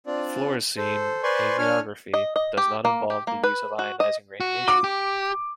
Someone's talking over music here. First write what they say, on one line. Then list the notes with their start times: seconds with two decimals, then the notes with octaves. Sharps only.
Fluorescein angiography does not involve the use of ionizing radiation.
0.06 C4 D4 F4 D5
0.77 A4 C5
1.23 B4 C5 D5 G#5 C6 C#6
1.58 D4 C#5 G#5 F6
2.14 D#5
2.36 D#5
2.57 G4
2.85 A#3
3.10 G4
3.27 A#3
3.44 B4
3.79 F#4
4.00 D#5
4.40 F#4
4.68 D6
4.84 G4